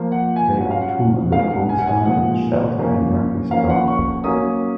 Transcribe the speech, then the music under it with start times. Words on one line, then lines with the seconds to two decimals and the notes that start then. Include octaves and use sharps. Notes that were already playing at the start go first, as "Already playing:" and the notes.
They would tour that whole summer with Shelter and Murphys Law.
Already playing: F3 A#3 F4
0.12 F#5
0.36 G#5
0.60 F#3 C#4 F4 F#5
0.71 F5
0.81 F#5
1.32 B2 G#3 D#4 F5
1.51 F#5
1.69 G#5
1.78 F#5
1.87 G#5
2.05 A#2 F3 G#3 F#5
2.78 F3 A#3 C#4
3.51 F3 A#3 C#4 F5
3.70 F#5
3.88 C#6
4.24 F#3 A#3 C#4 D#6